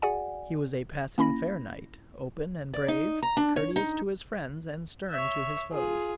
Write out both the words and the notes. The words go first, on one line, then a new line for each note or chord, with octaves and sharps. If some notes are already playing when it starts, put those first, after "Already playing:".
He was a passing fair knight, open and brave, courteous to his friends, and stern to his foes.
F#4 G#4 D5 F#5 G#5
A#3 C#4 E4 B5 A#6
D5
D#4
A#5
D4
C#5
D#4
C#5 E5
F4 G#4